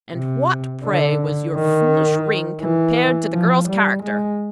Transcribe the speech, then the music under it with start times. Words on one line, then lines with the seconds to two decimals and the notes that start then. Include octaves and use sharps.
"And what, pray, was your foolish ring compared to the girl's character?"
0.14 C3
0.85 D3
1.55 D#3
2.62 E3
3.33 F3
3.69 G3
4.03 G#3